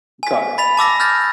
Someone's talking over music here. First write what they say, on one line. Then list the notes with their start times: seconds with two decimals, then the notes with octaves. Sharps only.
Got it.
0.23 G#5 B6
0.58 B5 A6 B6 F7
0.77 A5 D6 E6 A#6
1.00 F6 G6 A6 A#6